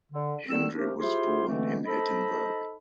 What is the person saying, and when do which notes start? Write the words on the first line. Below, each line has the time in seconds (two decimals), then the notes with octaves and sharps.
Hendry was born in Edinburgh.
0.12 D3
0.48 D3 D#3 G3 C4 E6
0.75 F3 A3 C4 D4 G4 A#4
0.99 E4 F4 G4 G#4 C5 C6
1.47 B2 D3 E3 A3 A#3 C4
1.85 D#4 A4 C5 D#5 A5 B5